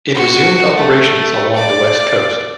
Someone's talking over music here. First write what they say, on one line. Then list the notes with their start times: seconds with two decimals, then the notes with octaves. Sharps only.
It resumed operations along the west coast.
0.15 F#4
0.75 A3
1.55 D5